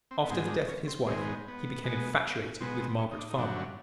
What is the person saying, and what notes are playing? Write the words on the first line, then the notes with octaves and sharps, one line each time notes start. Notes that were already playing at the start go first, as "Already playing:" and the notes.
After the death of his wife he became infatuated with Margaret Farmer.
C4
B3
G#2 D#3 G#3 C4
D4
C#4
C4
G#2 D#3 G#3 C4
B3
B3
B2 G#3 B3
B2 G#3 B3 C4
C4
C#4
D#4
D4
D#4
G2 D3 F#3 D4
C#4